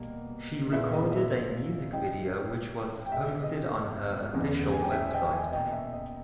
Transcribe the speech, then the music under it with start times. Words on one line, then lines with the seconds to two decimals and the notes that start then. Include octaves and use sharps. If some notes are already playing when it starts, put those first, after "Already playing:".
She recorded a music video which was posted on her official website.
Already playing: B2 G3 A#3
0.72 A#2 G#3 B3 E4 E5
0.92 D#5
1.12 E5
1.92 C#3 G3 C#4 E4 D#5 G5
3.06 G5
3.12 B2 G#3 B3 E5
3.43 D#5
4.32 E2 C#3 G#3
4.72 G#5
4.82 G5
4.92 E5
5.12 D#5 G5
5.32 E5 G#5
5.52 B2 A#3 D#4 D#5 G5
5.72 E5
5.92 D#5